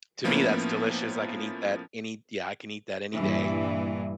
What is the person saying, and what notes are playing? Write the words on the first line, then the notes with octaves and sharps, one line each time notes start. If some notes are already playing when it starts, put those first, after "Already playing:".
to me, that's delicious, I can eat that any Yeah, I can eat that any day,
A2 F3 A#3 B3 C#4 E4
G2 A#2 E3